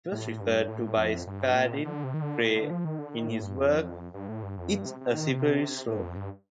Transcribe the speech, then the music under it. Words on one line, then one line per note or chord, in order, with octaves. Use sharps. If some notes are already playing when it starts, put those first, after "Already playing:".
It was referred to by Spalding Gray in his work "It's a Slippery Slope".
A2
G2
G2
A2
F2
G2
A#2
D3
C3
D#3
D3
A#2
D3
F3
D#3
D3
D#3
A2
G2
F2
G2
A2
G2
F2
G2
C3
C3
D#3
C3
A2
G2
F2
G2